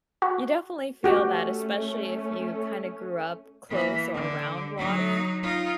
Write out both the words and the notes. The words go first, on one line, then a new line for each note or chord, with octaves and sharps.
You definitely feel that, especially if you kinda grew up close or around water,
F#4
A3 C#4 F#4 G4
E3 A#3
D3
F#3 D#4
D#4 F4